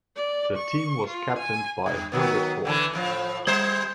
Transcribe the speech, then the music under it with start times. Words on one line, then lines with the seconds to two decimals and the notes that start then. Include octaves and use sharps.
The team was captained by Herbert Orr.
0.16 D5
0.57 C#6
1.07 F4
1.39 G#5
1.86 G2
2.12 D#3 F#3 B3
2.65 D3 E3 A3
2.93 A2 F3
3.47 G3 C5